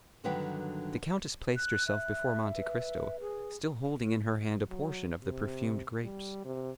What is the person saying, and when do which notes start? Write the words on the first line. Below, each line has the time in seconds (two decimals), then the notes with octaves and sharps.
The countess placed herself before Monte Cristo, still holding in her hand a portion of the perfumed grapes.
0.24 G2 D3 D#3 F#3 B4 G5
1.56 F#6
1.87 E5 F#6
2.55 B4
3.20 G#4
4.69 F#3
5.23 C3
6.04 G3
6.45 C3